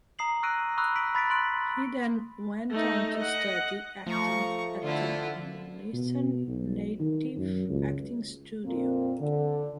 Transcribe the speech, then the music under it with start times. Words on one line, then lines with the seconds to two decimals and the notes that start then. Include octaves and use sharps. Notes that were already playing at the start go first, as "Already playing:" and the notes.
He then went on to study acting at the Nissan Nativ Acting Studio.
0.19 A#5 D#6 C7 F#7
0.43 C#6 E6 F#6 A#6 D7 D#7
0.78 B5 C#6 D#6 E6 F#6
0.96 B6 D7 F#7
1.15 B5 A6 B6 D7
1.30 C6 F#6 D7 F#7
2.71 A3 D#4
3.18 D#5 F#5
4.07 F3 A3 A#5 C#6
4.83 D3 E4 F4
5.93 B2
6.48 B1
7.00 D#3
7.38 F#2
7.69 C#2
8.66 F2 A#2 A#3 C4
9.20 D3